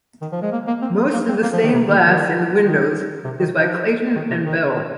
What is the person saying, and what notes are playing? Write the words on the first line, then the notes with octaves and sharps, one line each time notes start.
Most of the stained glass in the windows is by Clayton and Bell.
D#3
F3
G#3
A#3
A#3
C4
A#3
C4
A#3
F3
D#3
C3
D#3
D#3
D#3
C3
D#3
F3
D#3
C3
D#3
D#3